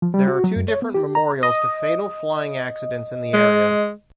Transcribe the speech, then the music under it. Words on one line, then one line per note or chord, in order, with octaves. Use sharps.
There are two different memorials to fatal flying accidents in the area.
F3
G3
F#4
F#3
F#2
C#5
B3
G4
A#5
D#5
G#3